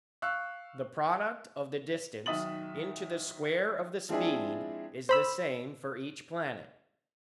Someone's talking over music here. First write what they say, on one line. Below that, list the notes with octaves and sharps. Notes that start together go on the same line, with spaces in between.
The product of the distance into the square of the speed is the same for each planet.
F5 C#6 E6 F#6
B1 D#3 E5 D#6 A6 F#7
F3 G#3 C4 D4 E4 G#4
C5 B5 E6